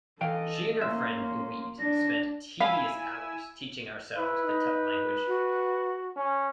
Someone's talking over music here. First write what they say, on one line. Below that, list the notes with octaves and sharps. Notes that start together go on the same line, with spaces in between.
She and her friend Louise spent tedious hours teaching ourselves the Tut language.
E3 A4 D#5 F5 G5
A#3 C#4 E5 C6
D4 A#6
E4 F5 G#5 B5 E6
E4 B4
D#4
F#4
C#4